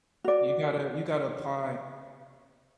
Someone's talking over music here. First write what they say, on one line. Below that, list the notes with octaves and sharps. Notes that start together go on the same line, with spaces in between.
You gotta you gotta apply,
F#4 D5